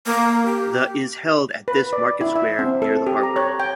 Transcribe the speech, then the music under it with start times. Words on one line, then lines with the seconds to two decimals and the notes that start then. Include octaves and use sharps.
The is held at this market square near the harbour.
0.06 A#3
0.45 G4
1.68 B4
1.93 D5
2.21 E4
2.36 E5
2.59 C4
2.82 A4
3.07 G4
3.23 A#5
3.36 C#5
3.60 G5